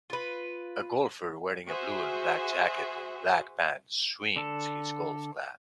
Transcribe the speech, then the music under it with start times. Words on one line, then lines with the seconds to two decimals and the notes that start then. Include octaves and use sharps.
A golfer wearing a blue and black jacket and black pants swings his golf club.
0.10 F4 B4
1.67 F#4 G#4 C5 E5
4.36 D3 A4